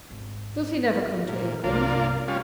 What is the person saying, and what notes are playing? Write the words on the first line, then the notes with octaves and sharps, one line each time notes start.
Does he never come to England?'
G#1
A#2
C2 G2 A#3 D4 F4
G3 C#4 F4